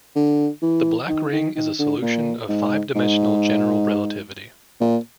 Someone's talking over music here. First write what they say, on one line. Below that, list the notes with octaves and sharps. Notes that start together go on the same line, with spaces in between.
The black ring is a solution of five-dimensional general relativity.
D3
E3
D#3
D#3
D#3
D3
A#2
G#2
G#2
A#2